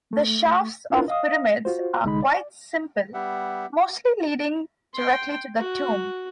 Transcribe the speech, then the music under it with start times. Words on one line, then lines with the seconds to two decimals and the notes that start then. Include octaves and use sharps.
The shafts of pyramids are quite simple, mostly leading directly to the tomb.
0.13 A3
0.90 C#4 D4 E4 F4 A#4 B4
1.08 D#5 F5 D#6
1.65 F4 F#4 C5
2.04 C2 D3 G#3 D#4 D#5 B5
2.22 D5
3.14 G3 B3 G4 E5 F#5
4.94 G5 C6
5.57 F#4